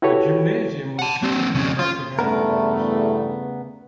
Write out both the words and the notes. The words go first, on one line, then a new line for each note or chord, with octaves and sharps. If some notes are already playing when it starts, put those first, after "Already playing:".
The gymnasium was soon constructed afterwards.
E4 F#4 G4 A4 B4 C#5
F#5 A5
A#3 C4
F2 C#3
F4
E2 G2 C#3 A3 B3 A#4